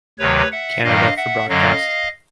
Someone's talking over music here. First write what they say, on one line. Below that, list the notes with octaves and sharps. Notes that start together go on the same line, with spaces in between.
Canada for broadcast.
D2 C3 D#3 F#3 B4 C#5
E5 F#5
G2 D#3 F#3 D#5 F5
E5 F#5
F#2 D3 F#3 D#5 F5